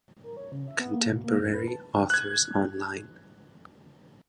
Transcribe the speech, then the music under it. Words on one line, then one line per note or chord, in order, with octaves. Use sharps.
"Contemporary Authors Online".
A#4
C#5
C#3
E5
B3
A#3
B2
A#3
G2
B4
A5
F#6 G#6